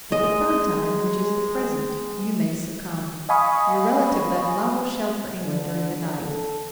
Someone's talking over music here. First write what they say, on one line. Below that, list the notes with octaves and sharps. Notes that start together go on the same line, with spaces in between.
But the third time, which is the present, you may succumb. Your relative left La Rochelle for England during the night.
G#3 D#5
D#5 F5 G#5 B5 C#6 D#6
D3
A4